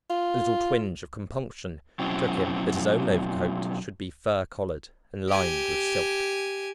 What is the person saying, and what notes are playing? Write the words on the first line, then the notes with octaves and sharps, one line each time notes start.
A little twinge of compunction took him that his own overcoat should be fur-collared and lined with silk.
F4
B2 F#3 C4 C#4 E4
G4 G#5